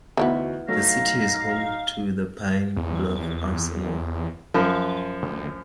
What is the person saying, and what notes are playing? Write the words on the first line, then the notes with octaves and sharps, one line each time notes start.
The city is home to the Pine Bluff Arsenal.
D2 E3 F3 B3 D#4 F#4
F#3 A3 D#4 F5 A#6
E2
F#2 F3
D2